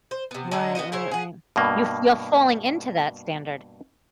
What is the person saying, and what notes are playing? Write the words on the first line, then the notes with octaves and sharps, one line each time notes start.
Right, right, right. You're you're falling into that standard.
C5
C3 B3
D3 G#3 D4 D#4
B3 D#4 F#4 D#5
C#3 E4 C5 C#5
G#4 F#5
G2 B2 A#3